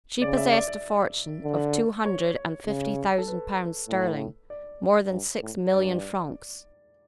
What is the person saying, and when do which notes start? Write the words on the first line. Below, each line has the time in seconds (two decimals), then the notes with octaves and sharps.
She possessed a fortune of two hundred and fifty thousand pounds sterling, more than six million francs.
0.21 C#3 D5
0.37 E5
0.52 D5
0.68 D5
1.44 D3
2.06 C#5
2.67 C#3
3.18 A4
3.28 B4
3.89 A2
4.50 D5
5.11 G2
5.42 A2
5.73 G2 D5